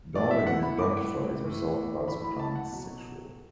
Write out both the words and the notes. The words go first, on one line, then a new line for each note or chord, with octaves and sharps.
Darling identifies herself as pansexual.
A2 E3 D5
E5
F#5
B5
A2 E3 D6
A2 E3
A2 E3 B5
B5
A5
F#5
B2 F#3